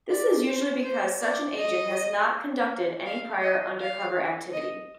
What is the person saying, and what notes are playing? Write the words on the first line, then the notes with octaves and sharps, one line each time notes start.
This is usually because such an agent has not conducted any prior undercover activity.
D5
C5
C5
D5
D#5
F5
D#5
F5
D#5